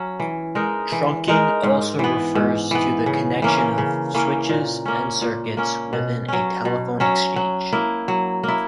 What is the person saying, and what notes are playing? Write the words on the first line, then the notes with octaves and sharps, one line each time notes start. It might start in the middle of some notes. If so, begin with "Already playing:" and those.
Trunking also refers to the connection of switches and circuits within a telephone exchange.
Already playing: F#3 C#4
E3
G#3 D#4 A#4
E3
G#3 D#4 A#4
G#2
E3 B3
G#2
E3 B3
C#3
E3 A#3 C#4
C#3
E3 A#3 C#4
A#2
A#3 C#4
A#2
A#3 C#4
B2
F#3 C#4
B2
F#3 C#4
F#3
A#3 E4
F#3
A#3 E4